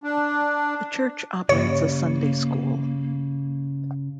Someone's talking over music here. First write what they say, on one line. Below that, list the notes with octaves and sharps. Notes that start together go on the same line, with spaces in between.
The church operates a Sunday school.
D4
G2 C#3 A#3 C#5